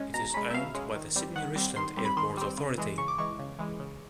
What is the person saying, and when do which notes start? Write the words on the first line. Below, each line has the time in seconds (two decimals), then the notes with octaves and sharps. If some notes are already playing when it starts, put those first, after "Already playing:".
It is owned by the Sidney Richland Airport Authority.
Already playing: G#3 C#4
0.14 B2 A#5
0.34 G#3 C#4 B5
0.50 E5
0.54 B2 F5
0.74 G#3 C#4
0.95 D#3
1.16 G3 C4
1.36 D#3 F#5
1.56 G3 C4
1.76 D#3 C6
1.97 G3 C4
2.05 B5
2.17 D#3 C6
2.37 G3 C4
2.57 C#3
2.78 E3 G#3
2.98 C#3 C#6
3.08 D6
3.18 E3 G#3 C#6
3.39 C#3
3.59 E3 G#3
3.80 C#3